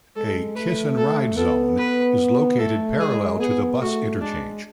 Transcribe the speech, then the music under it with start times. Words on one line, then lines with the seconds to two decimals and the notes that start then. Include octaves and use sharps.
A "Kiss-and-ride" zone is located parallel to the bus interchange.
0.16 G#3 A4
0.56 A3 B4
0.97 A4
1.37 B3 A4
1.78 B4
2.59 A3 A4
3.00 G#3 G#4
3.40 B3 G#4
3.81 A3 F#4
4.21 G#3 D4